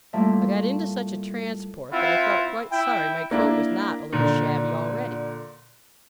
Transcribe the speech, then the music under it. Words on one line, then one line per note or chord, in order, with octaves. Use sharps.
I got into such a transport, that I felt quite sorry my coat was not a little shabby already.
A2 G3 A3 A#3 F4 E5
C4 E4 F4 F#5
E4 G5
A#3 D4 E4
A#2 D3